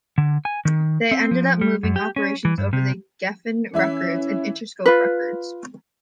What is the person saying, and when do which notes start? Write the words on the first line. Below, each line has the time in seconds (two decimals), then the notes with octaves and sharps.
They ended up moving operations over to Geffen Records and Interscope Records.
0.18 D3
0.45 G#5
0.65 D#3
1.11 C4
1.31 F3
1.61 G3
1.83 F#2
1.96 G4
2.16 C#4
2.45 E3
2.58 G2
2.73 C3
3.74 E3 C#4 E4 E5
4.86 F4 B4